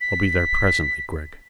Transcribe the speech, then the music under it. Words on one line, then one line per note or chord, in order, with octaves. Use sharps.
"I'll be there presently, Gregg."
B6